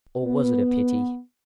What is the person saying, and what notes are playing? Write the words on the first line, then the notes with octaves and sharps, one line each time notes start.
Or was it a pity?
B3